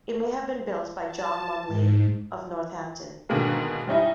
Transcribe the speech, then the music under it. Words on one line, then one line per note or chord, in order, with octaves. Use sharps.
It may have been built by John Lumley of Northampton.
A5
G#2
G#2 B2 D3 D#3 G#3 A#3
G3 C#4 D#4 E4